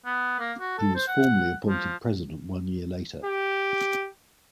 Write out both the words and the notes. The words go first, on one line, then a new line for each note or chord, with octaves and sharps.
He was formally appointed president one year later.
B3
A#3
F#4
A4
C5
F#5
F3
G4